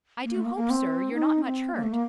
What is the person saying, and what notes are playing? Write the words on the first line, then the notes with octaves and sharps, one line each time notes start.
"I do hope, sir, you're not much hurt?"
A#3
A3
A#3
A#3
C4
D#4
C4
A#3
A3
A#3